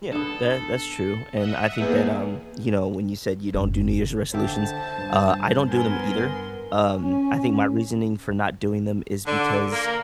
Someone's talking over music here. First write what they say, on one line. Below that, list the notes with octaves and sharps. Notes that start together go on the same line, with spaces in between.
Yeah. That i that's true, and I think that, um, you know, when you said you don't do New Year's resolutions, uh, I don't do them either. Um, I think my reasoning for not doing them is because
D3 B3 A4
D#5 E5 F#5
E2 A#3 G#4
F#1
D3 C5 E5 G5 A5
G2
B3 A#4 G#5 C6
C#4
D3
A#3